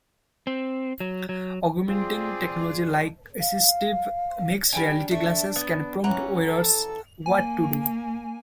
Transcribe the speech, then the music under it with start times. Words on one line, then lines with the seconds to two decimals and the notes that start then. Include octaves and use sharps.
Augmenting technology like assistive mixed reality glasses can prompt wearers what to do.
0.47 C4
1.00 F#3
1.29 F#3
1.89 C4 F4 G#4 D5
3.40 F5
4.73 G3 D4 G5 G#5
5.11 A3
5.56 B3
6.04 E3 C#4 F#5 A#5
6.46 A4
7.26 A#3 G#5